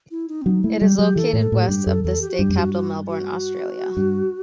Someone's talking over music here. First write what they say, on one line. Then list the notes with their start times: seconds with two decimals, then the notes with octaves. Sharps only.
It is located west of the state capital, Melbourne, Australia.
0.11 E4
0.29 D#4
0.42 C4
0.46 F#3 D#4
0.64 A3 E4
0.81 G3 G4
0.99 F#3 G4
1.16 E3 A4
1.33 A2
1.40 A4
1.52 A2
1.63 G4
1.69 G2
1.87 F#2 A4
2.04 E2 A4
2.22 G4
2.31 F#4
2.39 G2 G4
2.50 F#2
2.56 G2 F#4
2.74 F#4
3.09 F#4
3.97 G2